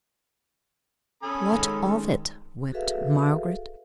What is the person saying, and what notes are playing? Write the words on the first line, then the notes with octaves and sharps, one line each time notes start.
"What of it!" wept Margaret.
C#4 A4 G#5 B5 D#6
D#3 G#3
F#4 G#4 A4 B4 E5 F5